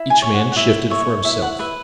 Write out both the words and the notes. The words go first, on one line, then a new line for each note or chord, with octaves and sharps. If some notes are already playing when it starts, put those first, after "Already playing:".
Each man shifted for himself.
Already playing: E4
G#5
C#5
F#5
F#5
E4 E5
C#5 E5
E4 E5
F#5
B4 E5